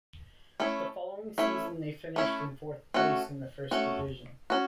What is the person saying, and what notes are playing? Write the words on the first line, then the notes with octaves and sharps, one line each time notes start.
The following season they finished in fourth place in the First Division.
A3 C#4 E4
A3 C#4 E4
A3 C#4 E4
A3 C#4 F#4
A3 C#4 F#4
C#4 F#4